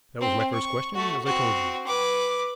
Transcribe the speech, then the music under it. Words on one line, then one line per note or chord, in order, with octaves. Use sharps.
That was my first question, as I told you.
C4
C#6
A3 F#4
C4 F#4
B4 D6